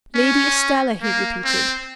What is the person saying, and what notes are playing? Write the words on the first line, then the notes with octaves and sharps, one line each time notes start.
"Lady Estelle," he repeated.
C#4
A#3
C4